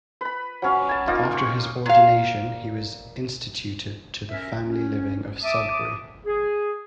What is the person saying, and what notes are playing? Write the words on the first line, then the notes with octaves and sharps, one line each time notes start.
After his ordination he was instituted to the family living of Sudbury.
B4 B5
F#3 C#4 F5
G#5 A5
A#3 D#4 F4
G5 C#6
A#2 F5
C#4 A#4 E5
C#4
E5 A5 D6 D#6
G#4